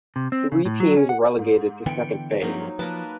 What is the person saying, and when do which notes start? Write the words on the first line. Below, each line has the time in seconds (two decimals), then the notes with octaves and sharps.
Three teams relegated to Second Phase.
0.16 C3
0.32 C4
0.52 C#3
0.65 A2
0.80 F#3
0.97 C#4
1.09 F#5
1.39 G#2
1.86 D3 E3 B3 G5 C#7 D7
2.42 G2 F3 F#3 A#3 C4 D#4
2.79 F3 A#3 A#4 B4 A5